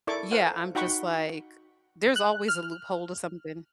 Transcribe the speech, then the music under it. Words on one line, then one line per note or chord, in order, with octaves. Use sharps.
Yeah, I'm just like, there's always a loophole to something.
E4 A4 A#4 D5 C#6 D6
A4 C5 F5 F#5
D#4 F#4 F#5 G5 B5 C#6
F#6
F6